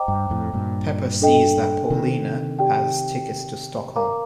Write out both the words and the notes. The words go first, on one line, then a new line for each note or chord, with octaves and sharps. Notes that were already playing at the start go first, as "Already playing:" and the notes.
Pepa sees that Paulina has tickets to Stockholm.
Already playing: C5 D#5 G5 A#5 D6
G2
F2 A2
G2 A#2
D4 A4 D#5 G5
C3 D#3
G4 D5 G5
A#4 F5 A#5 D6